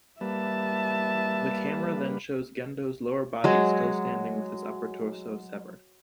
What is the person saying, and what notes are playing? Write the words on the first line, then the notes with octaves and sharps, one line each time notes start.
The camera then shows Gendo's lower body still standing with his upper torso severed.
G3 A#3 B4 E5 A5
F#3 G#3